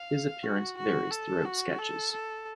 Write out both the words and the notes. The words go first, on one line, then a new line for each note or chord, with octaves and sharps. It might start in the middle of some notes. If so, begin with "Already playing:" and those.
His appearance varies throughout sketches.
Already playing: F5
F#4
F#4
A4
F#4
A4
A4